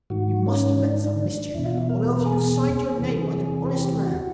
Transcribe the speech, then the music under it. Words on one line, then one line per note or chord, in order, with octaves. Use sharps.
You MUST have meant some mischief, or else you'd have signed your name like an honest man.'
G#2 D#3 F#4
C#4
D4
E2 B2 E4
F4
E4
A#4
G#4
E2 C3 E3
G#4
G4
F#4